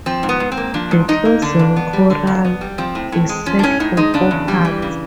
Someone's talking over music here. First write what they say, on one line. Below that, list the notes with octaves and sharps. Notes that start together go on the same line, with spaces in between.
The closing chorale is set for four parts.
F3 C4
G#2
B3
G#2
C4
A#3
F3 D4
G#2
G#2 D#4
A#3
D3 D4
F2
B3
G3
D3
F2
B3
G3
F3 C4
A2
A2
G#3
F3 C#4
D4
A2 C#4
A2 D#4
G#3 D#4
C#3 D4
E2
G3
E3
C#3